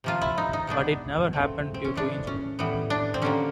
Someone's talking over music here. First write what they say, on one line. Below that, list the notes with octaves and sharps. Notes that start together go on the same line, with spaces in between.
But it never happened due to injury.
C3 F3 A#3 F4
E4
D#4
D#4
B2 G#3 B3 D4
C#3 F#3 A3 C4
C4
C#4
A2 E3 G#3 D4
C#4
A2 E3 G3 B3
D4
C4
D3 G3 A#3 C#4